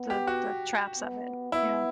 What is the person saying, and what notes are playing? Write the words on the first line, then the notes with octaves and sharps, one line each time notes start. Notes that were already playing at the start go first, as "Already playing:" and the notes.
the the traps of it, you know?
Already playing: B3
G4
F#4
B3
B3 E4